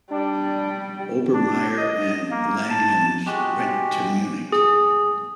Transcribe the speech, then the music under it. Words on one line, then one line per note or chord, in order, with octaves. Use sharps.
Obermaier and Langhans went to Munich.
G3 D4
D4
D#5
A#3
A5
G#3 F#4 G4
G#4